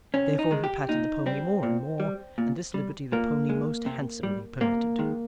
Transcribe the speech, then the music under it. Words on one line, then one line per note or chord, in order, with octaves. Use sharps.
Therefore he patted the pony more and more; and this liberty the pony most handsomely permitted.
C3 C#4
D#4
D#3 G#3
G4
A#2 D#4
G3 C4
A#2
G3
A#2
G3
A#2 A#3
G#3
C3
G3
C3 A#3
D#3 G#3